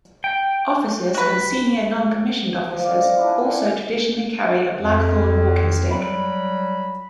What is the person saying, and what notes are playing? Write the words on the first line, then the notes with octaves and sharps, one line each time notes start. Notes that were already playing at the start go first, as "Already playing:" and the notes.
Officers and senior non-commissioned officers also traditionally carry a blackthorn walking stick.
G5
F#4 B4
F3
D5 F5 F#5
D#5
D4 E4 F4
G#5
F#5
F2
F#3 G3 B5